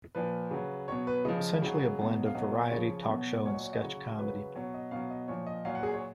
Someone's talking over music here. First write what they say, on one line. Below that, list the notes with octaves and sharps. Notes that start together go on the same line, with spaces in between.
Essentially a blend of variety, talk show, and sketch comedy.
A#2 F3 B4
C#3 F#3
B2 F#3 C#5
B4
C#3 F3 D#5
C#3 F#3
B2 F#3
F5
B2 F#3 D#5
C#3 F3 C#5
B2 F#3
A#2 F#3 C#5
D#5
C#5
D#5
C#3 F#3 C#5
C#3 F#3 B4
B2 F#3 C#5
D#5
B2 F#3 F5
D#5
A#2 F3 C#5
D#5
A#2 F#3 F5
F#5
G#4
C#5